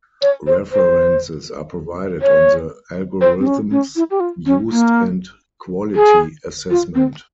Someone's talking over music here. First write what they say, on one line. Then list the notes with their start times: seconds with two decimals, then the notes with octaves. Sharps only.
References are provided on the algorithms used and quality assessment.
0.22 C#5
0.47 C5
0.72 C5
2.22 C#5
3.21 C5
3.39 C4
3.46 C#4
3.71 C#4
3.96 E4
4.11 G4
4.20 F4
4.46 C#4
4.70 A#3
5.95 G#4
6.70 F4
6.95 C4